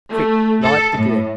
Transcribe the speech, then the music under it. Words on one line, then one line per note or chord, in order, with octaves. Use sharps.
Quick, light the glim!
A3
A4
A2